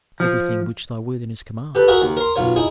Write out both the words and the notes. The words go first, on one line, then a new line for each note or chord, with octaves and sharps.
"Everything which thy worthiness commands."
F3
G4 A4 B4
F#4 G#4 A#4 E5
D#2
A#4 C6
B1 F4 C#5
D#4 E4 G#4